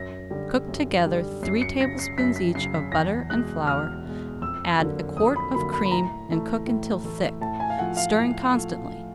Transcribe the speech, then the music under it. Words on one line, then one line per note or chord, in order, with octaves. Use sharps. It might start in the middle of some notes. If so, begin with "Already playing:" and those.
Cook together three tablespoonfuls each of butter and flour, add a quart of cream and cook until thick, stirring constantly.
Already playing: F#2 A#6
D3 G3
F#2
D3 G3
F#2 C7
C#7
C#3 F#3 A#6
C7
F#2 B6
B6
C#3 F#3 C7
B6
E2 A#6
B2 G#3 F#6
E2 F6
B2 G#3
F2 E6
D3 F#3 A#3
F2 D#6
B5
D3 F#3 A#3 B5
B5
B5
A2 A#5
E3 A3
A2
E3 A3
A2 A5
G#5
F5
F3 A3 F#5
F5
A2
F3 A3